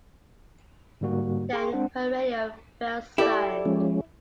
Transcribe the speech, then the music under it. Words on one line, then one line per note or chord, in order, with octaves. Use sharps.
Then her radio fell silent.
G#2 D3 G3 A#3 F#4
G#4 G5 C6 C#6
G#3 C4 D4 C5 F#5
E4 G4 A4 D5
F3 G#3 C#4